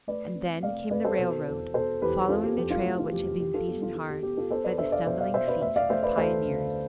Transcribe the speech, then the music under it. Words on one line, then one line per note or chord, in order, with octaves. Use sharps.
And then came the railroad, following the trail which had been beaten hard by the stumbling feet of pioneers.
A3 B4 D5
C4
A3 D5 F5
C4 B4 D5
A4 C5
B2
E2
B2 A4 C5
E2 G4 B4
C4 F4 A4
G4
F2 G4
F4
A3 G4
F4
F2 G4
G4
F4 G4
F4 A4
B3 G4
F4
F4
G4
B3 G4
F4 A4
B3 A4 C5
B4 D5
D4 C5 E5
D5 F5
B2 C5 E5
D5 F5
B2 C5 E5
B4 D5
A3 C5 E5
D5 F5
A3 C5 E5
B4 D5
D2 A4 C5
D3